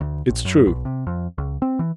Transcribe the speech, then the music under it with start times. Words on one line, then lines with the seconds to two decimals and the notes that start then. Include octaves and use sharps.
"It's true."
0.01 D2
0.30 A#1
0.45 F#2
0.67 B1
0.85 C3
1.07 F2
1.38 C#2
1.62 C4
1.79 E3